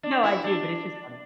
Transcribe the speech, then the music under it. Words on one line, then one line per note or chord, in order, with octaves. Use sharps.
No, I do, but it's just funny.
D4
E4
D4